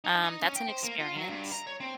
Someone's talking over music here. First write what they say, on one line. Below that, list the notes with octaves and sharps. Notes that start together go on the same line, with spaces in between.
Um, that's an experience."
D#4
D#4
C#4
G5
C5
A#3
F4
F#3
G2
A#5
C#5
C4